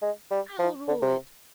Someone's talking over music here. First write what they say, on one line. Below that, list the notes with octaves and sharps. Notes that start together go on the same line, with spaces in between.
"I'll rule it!"
G#3
G3
F3
D3
C3